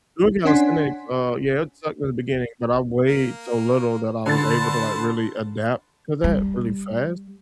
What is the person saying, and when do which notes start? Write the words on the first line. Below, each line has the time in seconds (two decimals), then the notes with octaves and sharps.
doing calisthenics, uh, yeah, it sucked in the beginning, but I weighed so little that I was able to, like, really adapt to that really fast,
0.45 C#4 D4 F#5 G#5 C6 B6
3.05 A#3
4.26 D3 B4 C5 A5 A6
6.24 G3